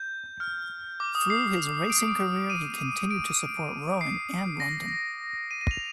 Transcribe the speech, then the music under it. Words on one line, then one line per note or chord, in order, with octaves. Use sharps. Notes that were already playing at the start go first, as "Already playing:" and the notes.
Through his racing career he continued to support rowing and London.
Already playing: G6
F6
D6
D#6
C7
D7
C7
D7
D#7
D7
C7
A#6
D#7
D#7
F7